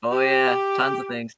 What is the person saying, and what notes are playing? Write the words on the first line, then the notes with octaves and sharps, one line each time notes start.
Oh, yeah. Tons of things.
G4